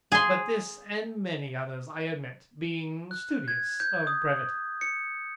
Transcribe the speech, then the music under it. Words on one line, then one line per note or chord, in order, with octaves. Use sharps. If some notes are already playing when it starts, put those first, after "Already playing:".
But this, and many others, I omit, being studious of brevity.
G#4 C6
F#6
G#6
G6
D#6
C#7